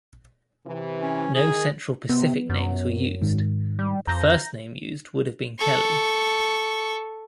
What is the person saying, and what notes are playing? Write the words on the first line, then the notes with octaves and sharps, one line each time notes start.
No central Pacific names were used; the first name used would have been Keli.
C3 E3
C#4
D#3 G#4
C3 B3
F#2
G#2 D#3
G3
F2 A#5 G6 A#6
A4 C#6